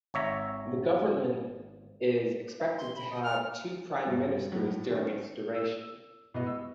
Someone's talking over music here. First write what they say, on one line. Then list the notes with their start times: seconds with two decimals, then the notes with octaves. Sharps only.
The government is expected to have two prime ministers during its duration.
0.14 G#1 C#5 E5 A#5
2.77 C6
2.96 B5
3.10 D#5
3.23 F6
4.06 G2
4.52 A2 F#3
4.91 D#3 C#4
5.55 E6
6.34 B2 B3 D#5
6.47 E6